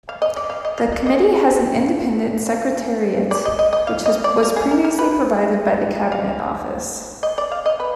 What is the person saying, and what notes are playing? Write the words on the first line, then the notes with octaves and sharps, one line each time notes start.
The committee has an independent secretariat which was previously provided by the Cabinet Office.
F5
D#5
D5
F5
D#5
F5
D#5
D#5
D5
D#5
D#5
D#5
F5
D#5
D5
A#4
G#4
A#4
A#4
B4
F5
D#5
D5
F5
D#5
B4